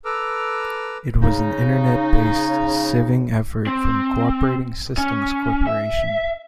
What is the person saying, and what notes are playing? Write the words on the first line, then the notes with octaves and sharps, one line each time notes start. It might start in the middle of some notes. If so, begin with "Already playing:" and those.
It was an internet-based sieving effort from Cooperating Systems Corporation.
A4 B4 A#5 D6 E6 F6
C#3 D#4
C4
C#4
E5